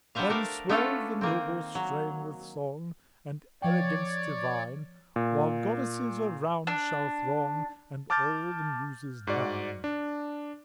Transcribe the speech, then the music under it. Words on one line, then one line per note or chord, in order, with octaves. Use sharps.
Then swell the noble strain with song, And elegance divine, While goddesses around shall throng, And all the muses nine.
G3 B3 D4 C5 E5 F5
A3 A#4 D5 F5
A3 B3 C#4 D4 F4 A4
D#3 A#3 C4
F#3
F3 C#5 D5 G5
A#2
D4
A5 D6 F6 G6 A6
G#2 F#4 D5
D4